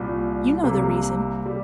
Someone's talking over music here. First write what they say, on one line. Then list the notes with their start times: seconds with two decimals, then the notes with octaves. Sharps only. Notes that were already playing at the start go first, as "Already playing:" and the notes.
You know the reason.
Already playing: C2 A#2 A#3
0.63 C2 C3 A#3
1.46 G3